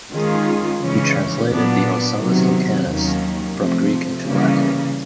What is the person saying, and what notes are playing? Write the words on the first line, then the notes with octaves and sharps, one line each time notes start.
He translated the "Ocellus Lucanus" from Greek into Latin.
D#3 G#3 C#4 F4 G#4
C#3 E3 G#3 C#4
A#2 F#3 B3 D4
C3 D#3 F#3 B3
D#2 D#3 F#3 A#3 C#4
C3 F3 A3
C#3 E3 G3 A#3 C#4